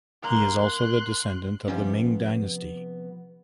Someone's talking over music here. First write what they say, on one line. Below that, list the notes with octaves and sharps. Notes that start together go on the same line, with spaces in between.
He is also the descendant of the Ming Dynasty.
G2 A#3 A#5 C6 F#6
C3 F3 G3 B3 C#4